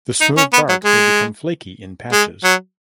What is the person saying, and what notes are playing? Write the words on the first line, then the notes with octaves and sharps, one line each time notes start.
The smooth bark may become flaky in patches.
D#4
C#4
B3
F#3
G#3
G#3
F#3